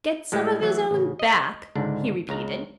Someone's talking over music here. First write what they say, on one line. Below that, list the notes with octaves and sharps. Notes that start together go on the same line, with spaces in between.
'Get some of his own back!' he repeated.
A2 G3 G#3 E4
E3 F#3 A3
A1 C#3
D#5
C#2 G#2 D3 D4
C#2 C#3 A#5